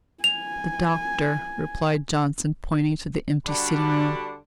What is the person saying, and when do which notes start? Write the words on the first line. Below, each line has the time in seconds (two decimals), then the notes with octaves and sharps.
"The Doctor!" replied Johnson, pointing to the empty sitting-room.
0.24 G#5 F7
3.47 D3 G3 D4 F#4 B5